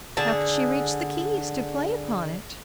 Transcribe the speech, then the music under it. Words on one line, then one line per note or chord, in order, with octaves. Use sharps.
How could she reach the keys to play upon it?
D3 G#4 A5